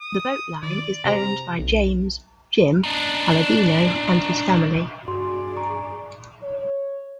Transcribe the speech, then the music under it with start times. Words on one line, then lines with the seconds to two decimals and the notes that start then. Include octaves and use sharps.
The boat line is owned by James "Jim" Palladino and his family.
0.01 D#6
0.63 D#3 D5
1.05 C3 G4 C5 A#5
1.59 B1
2.84 D4 D#4
5.08 G2 F#4 G#4 D5 C6
5.57 A#5 C#6
6.43 C#5